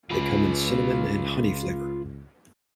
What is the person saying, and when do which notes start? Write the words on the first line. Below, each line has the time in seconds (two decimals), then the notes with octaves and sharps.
They come in cinnamon and honey flavor.
0.11 C#2 F4 B4